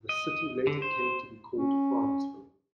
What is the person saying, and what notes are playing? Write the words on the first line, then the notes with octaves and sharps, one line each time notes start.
The city later came to be called Franceville.
D#5
D3
C5
C#4